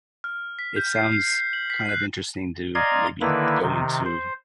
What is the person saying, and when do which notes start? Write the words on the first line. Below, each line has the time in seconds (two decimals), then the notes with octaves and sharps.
it sounds kinda interesting to maybe go into
0.24 F6
0.59 B6
0.76 G6
0.96 C7
1.12 C7
1.28 C7
1.53 F#7
1.70 B6
1.89 F#6
2.75 D5 D#5 F5 A#5 C6 G#6
3.21 D3 D#3 A#3 E4 B4
3.62 C3 D#3
4.05 C5